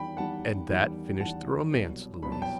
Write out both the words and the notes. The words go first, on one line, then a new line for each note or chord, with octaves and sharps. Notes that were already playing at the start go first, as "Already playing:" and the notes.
"And that finished the romance, Louise."
Already playing: E2 D#3 G3 G5 B5
E2 D#3 G3 F#5 A5
E2 D#3 G3
E2 D#3 G3 F#5 A5
C2 B2 F#3
C2 B2 F#3 B5
A5
G5